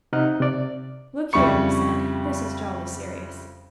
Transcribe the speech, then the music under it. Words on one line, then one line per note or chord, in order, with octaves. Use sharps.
'Look here,' he said, 'this is jolly serious.
C3 D#4 D#5 F#5 F6 F#6
C3 D5
F2 C#3 G3 E4 C#6 C#7